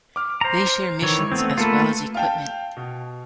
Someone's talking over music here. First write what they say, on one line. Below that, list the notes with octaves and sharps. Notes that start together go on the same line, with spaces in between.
They share missions as well as equipment.
D6 F6
C5 A#5
D#3 E3 C#5
A3 B3 C4
A3 A#3 F4 A4 B4
F5 G5 A5
B2